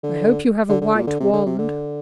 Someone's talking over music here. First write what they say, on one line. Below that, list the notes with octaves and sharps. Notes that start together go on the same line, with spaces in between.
I hope you have a white wand.'
D3
D3
D3
A#2
D3
C3
D3
C3
D3